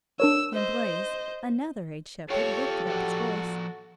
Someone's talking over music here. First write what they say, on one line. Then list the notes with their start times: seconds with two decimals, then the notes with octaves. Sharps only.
Then Blaize, another aged shepherd, lifted up his voice.
0.20 D4 A#4 C#5 E6
0.54 C5 D#5
2.30 F4 G4 A4 C#5 F5 G5
2.87 F3 F#4 D5